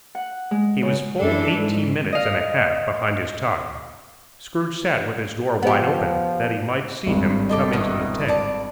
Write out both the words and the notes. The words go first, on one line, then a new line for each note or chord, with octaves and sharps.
He was full eighteen minutes and a half behind his time. Scrooge sat with his door wide open, that he might see him come into the tank.
F#5
G#3
C#3
F#2 E3 D4 A4
G#2
D#5 F5
F3 B3 G4
G#1 G2
G4 A4 D#5
B2 D#3 E3
D5 A5